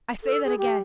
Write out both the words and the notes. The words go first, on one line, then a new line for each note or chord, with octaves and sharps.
I say that again.
A4
G#4
G4